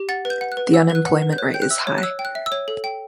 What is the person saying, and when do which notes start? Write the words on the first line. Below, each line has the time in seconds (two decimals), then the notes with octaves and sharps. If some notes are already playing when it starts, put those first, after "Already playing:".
The unemployment rate is high.
Already playing: G4
0.09 F#5 A6
0.25 B4
0.30 G6
0.41 F#5
0.52 F#6
0.57 B4
0.73 F#5 E6
0.90 B4
0.95 F#6
1.06 F#5
1.22 B4
1.33 G6
1.38 C#5 F#6
1.54 G5 G6
1.62 F#6
1.70 E5 E6
1.87 C#5
1.98 F#6
2.03 C#5 E6
2.19 G5
2.25 F#6
2.35 E5
2.46 E6
2.52 C#5
2.68 A4
2.84 G5